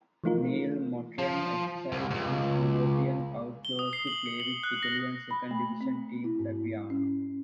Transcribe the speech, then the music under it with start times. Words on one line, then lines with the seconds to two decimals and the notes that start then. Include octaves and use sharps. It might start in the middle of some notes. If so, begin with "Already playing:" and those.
Neil Mottram exercised his European out clause to play with Italian second-division team Fabriano.
0.24 E3 F3 A3 D#4 F4 A#4
1.19 F3
1.92 C2
2.11 C#2 G#2
3.65 G7
3.79 D#6
3.93 C7
4.07 F#7
4.26 C#7
4.40 F#7
4.63 F#6
4.83 A#6
5.31 B5
5.51 A3
5.81 C4
6.24 E4
6.39 G#2
6.90 C#4